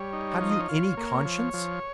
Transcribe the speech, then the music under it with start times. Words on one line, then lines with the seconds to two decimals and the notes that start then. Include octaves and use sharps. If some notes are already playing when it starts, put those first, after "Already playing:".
Have you any conscience?
Already playing: G3 C#5
0.13 D#4
0.40 F3 C#5
0.50 D#5
0.60 C#5
0.69 F4
0.97 A#3
1.25 F3
1.53 F3